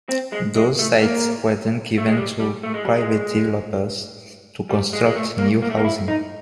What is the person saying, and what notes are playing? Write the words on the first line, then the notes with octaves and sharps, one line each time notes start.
Those sites were then given to private developers to construct new housing.
C4
G#3
G#3
A3
A#3
A3
G#3
G3
G3
A3
G#3
G3
G#3
G3
G#3
G#3
A3
A#3
A#3
A3
A#3
E4
D#4